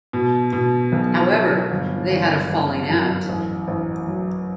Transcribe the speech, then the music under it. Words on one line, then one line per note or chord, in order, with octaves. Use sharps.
However, they had a falling out.
B2
B2
B1
F#3
G1
G1
G1
F#2
A1
A1
F#3